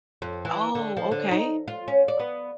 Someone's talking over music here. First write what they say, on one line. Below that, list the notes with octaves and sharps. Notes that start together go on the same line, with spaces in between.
Oh, okay.
F2
E3
D3
F3
D3
D#4
F4
C#4
D5
B3